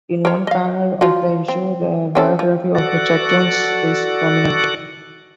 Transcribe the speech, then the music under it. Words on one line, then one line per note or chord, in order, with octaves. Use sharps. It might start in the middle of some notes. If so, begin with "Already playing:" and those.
In one panel of the issue, the biography of Chuck Jones is prominent.
A#4 C5 C#5
D#5 F5
F3 F4 F#4
C4
C4 C#4 A4
F3
F#4 A4 D5 F#5